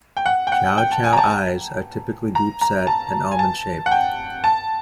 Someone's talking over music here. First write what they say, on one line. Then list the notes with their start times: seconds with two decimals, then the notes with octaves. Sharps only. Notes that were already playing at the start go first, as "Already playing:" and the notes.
Chow Chow eyes are typically deep set and almond shaped.
0.17 G5
0.26 F#5
0.47 G5
0.52 F#5
0.78 G5
0.91 A5
1.04 G#5
1.13 A#5
1.18 A5
2.35 A#5
2.61 A#5
2.87 A5
3.32 G#5
3.39 A5
3.86 F#5
3.91 G5
4.44 A5